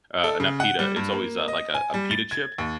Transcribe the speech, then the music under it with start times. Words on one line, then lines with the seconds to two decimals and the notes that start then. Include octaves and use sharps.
uh, not pita, it's always, uh, like, a, a, pita chip,
0.24 A4
0.40 C#3
0.60 F#5
0.79 G3
0.96 G2
1.12 A#3
1.48 D#5
1.74 G#5
1.94 G3
2.11 A6
2.31 G#6
2.58 D#2